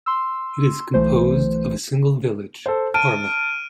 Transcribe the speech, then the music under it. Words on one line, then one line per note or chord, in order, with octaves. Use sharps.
It is composed of a single village, Parva.
C6 E6
B1 E3 A3 C5
A4 C5
A5 F6 D7 D#7